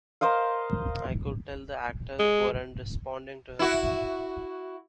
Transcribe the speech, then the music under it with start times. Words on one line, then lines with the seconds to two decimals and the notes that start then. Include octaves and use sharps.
I could tell the actors weren't responding to him.
0.21 A#4 C5 D#5 F5
2.19 G#3
3.59 E4 F#4